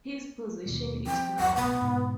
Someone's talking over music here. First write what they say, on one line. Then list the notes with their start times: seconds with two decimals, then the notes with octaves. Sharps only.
His position is lock.
0.66 D#2 B2 G3
1.07 F3 C4 G5
1.39 F#1 D#2 F#3 F#5
1.56 F1 A#1 B3
1.81 G#2 B2 D3